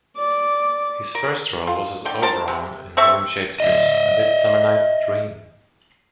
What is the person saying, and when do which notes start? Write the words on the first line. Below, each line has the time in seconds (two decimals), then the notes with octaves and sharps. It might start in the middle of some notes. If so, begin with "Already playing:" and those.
His first role was as Oberon in William Shakespeare's "A Midsummer Night's Dream".
0.18 D5
1.15 A#4
1.67 F4
2.05 D3 G5
2.22 A#4 C5 A5
2.48 C3
2.97 C4 A4 E5 C#6
3.60 D#5 E5